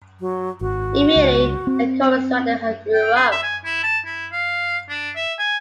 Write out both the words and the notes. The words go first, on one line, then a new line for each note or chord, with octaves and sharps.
Immediately, a cult surrounding her grew up.
F#3
G#1 F#4
C#2
C4
G5
G#4
E5
G#5
E4
A5
E4
F5
D4
E5
G#5